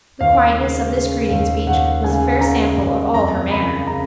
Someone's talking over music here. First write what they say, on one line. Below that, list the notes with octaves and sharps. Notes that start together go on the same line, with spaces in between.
The quietness of this greeting speech was a fair sample of all her manner.
D#2 F5
C#3
C#3
D#2
D#2 F#5
C#3 G#5
C#3 A#5
D#2
F2 A#5
C#3 B5
C#3 A#5